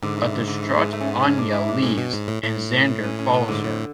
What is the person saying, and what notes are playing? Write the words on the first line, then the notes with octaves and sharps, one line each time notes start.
A distraught Anya leaves and Xander follows her.
G#2 D3
E3
D3
D3
E3
G#3
A3
C#4
B3
C#4
D4
E4
D4
A2 C#4
B2
G#2
A2
A2
C#4
C#4
B3
G#2 D3
A2